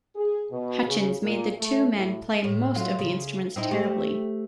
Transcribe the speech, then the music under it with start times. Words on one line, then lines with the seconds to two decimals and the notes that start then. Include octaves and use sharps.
Hutchins made the two men play most of the instruments terribly.
0.15 G#4
0.50 B2
0.87 C#3
1.21 A#2
1.58 A3
1.94 A2
2.44 A2
2.75 F#3 A3 F4
2.99 C#3
3.56 C4 D#4 E4
3.71 A3 G4